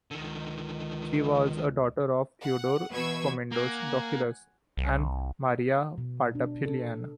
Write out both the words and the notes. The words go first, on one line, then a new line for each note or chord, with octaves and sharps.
She was a daughter of Theodore Komnenos Doukas and Maria Petraliphaina.
C#2 D3 D#3
F#5
B2 E3 B4 C#6 E6 G#6
A#3 F#5 G#5
C2
B2
D4
A4